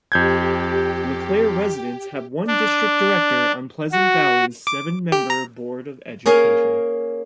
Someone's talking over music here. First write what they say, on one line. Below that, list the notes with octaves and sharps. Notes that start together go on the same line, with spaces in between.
LeClaire residents have one district director on Pleasant Valley's seven-member board of education.
F2 G4 G6 G#6
D4
F#4
D6
G4
A#5
A#3 C#4 G#4 A#4 F5